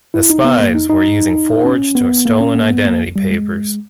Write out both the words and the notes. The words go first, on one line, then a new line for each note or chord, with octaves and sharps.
The spies were using forged or stolen identity papers.
E4
D#4
B3
A#3
D#4
D#4
C#4
B3
A#3
C#4
A#3
B3
A#3
G3
G#3